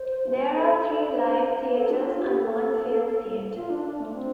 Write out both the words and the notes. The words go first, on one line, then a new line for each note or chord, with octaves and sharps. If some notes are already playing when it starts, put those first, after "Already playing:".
There are three live theaters and one film theater.
Already playing: C5
A4
A4
C5
A4
D4
F4
G4
A4
F4
D4
D4
A3
C4